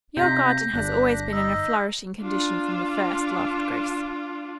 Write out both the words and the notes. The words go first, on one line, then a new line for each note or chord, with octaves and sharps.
"Your garden has always been in a flourishing condition from the first," laughed Grace.
C3 D#4 F4 G6 A#6 B6
G1 D4 F#6
D#4 D#5 E6
D4 F4